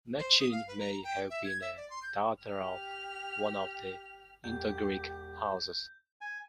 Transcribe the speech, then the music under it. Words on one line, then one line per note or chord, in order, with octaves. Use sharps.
Machene may have been a daughter of one of the Indo-Greek houses.
C5
D#6
F5
B4
A#5
G5
E5
G#6
E5
D5
C6
G6
G4 F6
E1 G4 G6
G#5